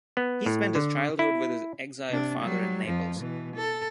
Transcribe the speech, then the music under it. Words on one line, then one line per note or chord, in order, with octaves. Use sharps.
He spent his childhood with his exiled father in Naples.
B3
A2
D3
E4
C3 D4
F#3 G3
F2 F3
B2 E3
A4